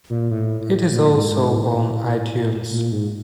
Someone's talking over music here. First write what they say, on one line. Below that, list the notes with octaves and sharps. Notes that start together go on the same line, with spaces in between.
It is also on iTunes.
A#2
A2
A2
A#2
G#2
G#2
A2
A#2
G#2